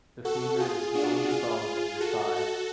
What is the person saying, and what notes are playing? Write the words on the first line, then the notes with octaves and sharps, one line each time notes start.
The femur is the only bone in the thigh.
F#4 A4
F4 G#4
D4 F#4
F4 G#4
F#4 A4
F#4 A4